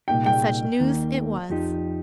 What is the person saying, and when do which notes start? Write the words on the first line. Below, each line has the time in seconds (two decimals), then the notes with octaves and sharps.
And such news it was!
0.08 C2 A#2 A#3 D#4 G4 G5
0.26 G5
0.80 D#2 D#3 A#3
1.50 F2 F3 D#4 G4